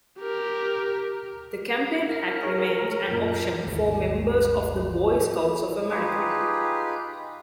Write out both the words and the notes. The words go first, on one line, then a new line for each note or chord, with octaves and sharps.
The campaign hat remains an option for members of the Boy Scouts of America.
G4 A#4
A#4
G#4 C#5
F#2 A#2
G#1 D#2
D#4 F4 G4 G#4 B4